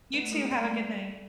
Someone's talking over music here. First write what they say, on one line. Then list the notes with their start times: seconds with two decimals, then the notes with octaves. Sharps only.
You too. Have a good night.
0.13 A3 B3
0.32 G#3 A#3
0.51 G3 A3